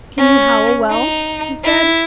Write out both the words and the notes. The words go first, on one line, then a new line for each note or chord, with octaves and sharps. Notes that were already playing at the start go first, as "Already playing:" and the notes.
'Can you howl well?' he said.
C#4
D#4
E4